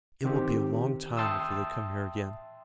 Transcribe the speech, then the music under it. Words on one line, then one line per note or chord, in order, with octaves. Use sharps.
It will be a long time before they come here again.
D#3 C4 G4
E5 G5 A5 C6 D#6 E6